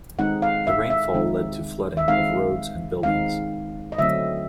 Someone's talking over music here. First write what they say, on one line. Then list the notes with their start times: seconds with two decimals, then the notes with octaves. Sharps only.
The rainfall led to flooding of roads and buildings.
0.19 D#3 G#3 C4 D#4 F#5
0.42 F5
0.67 E5
0.90 E5
1.14 D#3 G#3 C4 D#4
1.97 E5
2.08 D#3 G#3 C4 D#4 F5
3.03 D#3 G#3 C4 D#4 F5
3.92 D#5
3.98 D3 F#3 A3 C4 E5